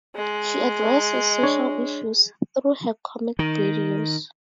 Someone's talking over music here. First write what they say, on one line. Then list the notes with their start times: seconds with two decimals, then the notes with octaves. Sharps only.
She addresses social issues through her comic videos.
0.16 G#3
1.43 D4 C#5
3.39 D#3